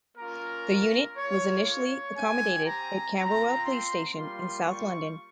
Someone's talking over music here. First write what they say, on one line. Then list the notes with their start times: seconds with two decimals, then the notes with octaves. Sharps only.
The unit was initially accommodated at Camberwell police station in south London.
0.18 A#3 C#4 F4 A#4
1.17 A#3 F4 C#5
1.67 C#5
2.16 C4 G4 G#5
2.66 A#5
3.16 C4 F4 A#5
3.66 C6
4.15 G3 A#3 F4 C6
4.66 C#6